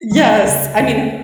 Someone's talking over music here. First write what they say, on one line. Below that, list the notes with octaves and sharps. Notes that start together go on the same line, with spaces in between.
Yes, I mean,
D2 C#3 F#3
D2 C#3
D#2 D3